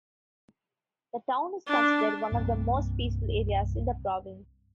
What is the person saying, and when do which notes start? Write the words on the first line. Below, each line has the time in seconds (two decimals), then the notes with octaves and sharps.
The town is considered one of the most peaceful areas in the province.
1.67 D4
2.32 C2 G2 A#3 C4